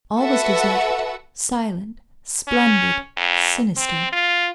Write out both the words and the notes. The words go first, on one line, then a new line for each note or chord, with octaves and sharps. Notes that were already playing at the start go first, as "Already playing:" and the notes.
All was deserted, silent, splendid, sinister.
F#4 A4 B4 E5 F#5
C#4
F2
C4
F4